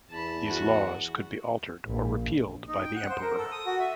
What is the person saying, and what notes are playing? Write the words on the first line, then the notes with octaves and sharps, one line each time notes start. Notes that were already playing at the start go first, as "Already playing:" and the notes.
These laws could be altered or repealed by the emperor.
E2 A5 B5
F#4
A#1
D#4
G5
F#5
C5
A#4
A4
D#6
F#4
E5